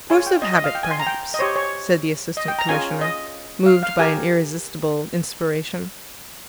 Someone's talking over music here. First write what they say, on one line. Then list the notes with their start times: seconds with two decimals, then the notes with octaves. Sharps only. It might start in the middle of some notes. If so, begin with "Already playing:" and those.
"Force of habit perhaps," said the Assistant Commissioner, moved by an irresistible inspiration.
0.10 F4 G#4 C#5 G#5
0.27 G5
0.42 D#5
0.53 D#5
0.64 F5
0.75 G5
0.83 G#5
0.91 C6
1.00 A#5
1.07 G5
1.34 D#5
1.39 G4 C5 C#5
1.56 C#5
2.37 D#5
2.48 G5
2.59 A#5
2.69 C#4 F4 G#4 C#5 G#5
3.01 D#5
3.66 F5
3.83 F5
3.99 G4 A#4 G#5